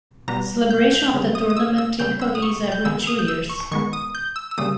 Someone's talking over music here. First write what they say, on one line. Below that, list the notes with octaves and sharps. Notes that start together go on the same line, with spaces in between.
Celebration of the tournament typically is every two years.
B2 G3 B3 A#5
G6
G6
C#3 G3 B3
D#6
D#6
E6
E6
C#3 G3 B3 G6
E6
D#6
C#6
G6
D#3 G#3 B3 E6
D#6
G6
E6
C#6
D#3 G#3 B3 C#6
D#6
G6
E6
E6
C#3 G3 A#3 D#6